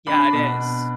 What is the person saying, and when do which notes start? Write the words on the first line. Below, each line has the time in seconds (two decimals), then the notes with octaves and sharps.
Yeah, it is.
0.07 D4 B5
0.33 B2